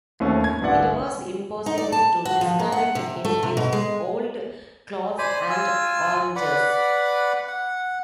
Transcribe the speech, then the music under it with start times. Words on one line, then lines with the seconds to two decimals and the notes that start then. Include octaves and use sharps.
It was impossible to disconnect him with old clothes, and oranges.
0.20 D#2 A3 C4 C#4
0.44 G#6
0.61 G1 C2 E4 D5 F#5
1.66 D#4
1.78 D5
1.92 A5
2.25 F#4
2.41 F3
2.60 A#3
2.72 F#5
2.95 C3
3.25 A3
3.43 C3
3.57 B2
3.73 G#3
5.18 C5 D5 G#5 B5
5.50 F4 G#5 E6
6.36 B4 D5 F#5 B5
7.48 F#5